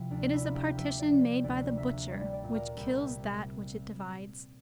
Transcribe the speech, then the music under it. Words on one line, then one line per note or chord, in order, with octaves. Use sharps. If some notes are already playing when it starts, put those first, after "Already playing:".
It is a partition made by the butcher, which kills that which it divides.
Already playing: C3 F3 E4
D2 D4
E4
A#3
G4
F3 E5
D5
C3
C5
D2 D5
A#3 E5
G3 D5
D5
A#2
A#4
C2 G4